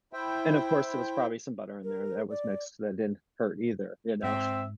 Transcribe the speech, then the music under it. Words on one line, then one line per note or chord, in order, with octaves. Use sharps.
And, of course, there was probably some butter in there that was mixed that didn't hurt either, you know.
E4 C5 E5 G5
A#4
D5
G#2 C4 E5